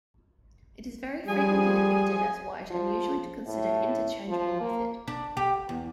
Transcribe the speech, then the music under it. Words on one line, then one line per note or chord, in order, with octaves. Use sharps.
It is very frequently depicted as white and usually considered interchangeable with it.
F3 G3 G#4 G#5
F3
A2
F3
A#3
D4
G4
E2